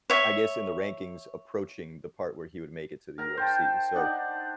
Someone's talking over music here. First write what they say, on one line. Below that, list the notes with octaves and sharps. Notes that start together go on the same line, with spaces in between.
I guess, in the rankings approaching the part where he would make it to the UFC. So
C#5 E5
A#4 A#5
C5 G5 A5
D4 D#4 F#5